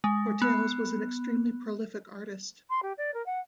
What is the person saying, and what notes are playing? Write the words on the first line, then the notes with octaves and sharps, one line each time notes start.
Portaels was an extremely prolific artist.
G#3
B3
C6
G4
D5
A#4
F#5